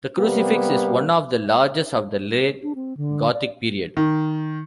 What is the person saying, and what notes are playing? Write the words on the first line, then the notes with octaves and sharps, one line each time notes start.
The crucifix is one of the largest of the late Gothic period.
C3 G3 A#3 B3 G4
D4
C4
D3
D5
D#3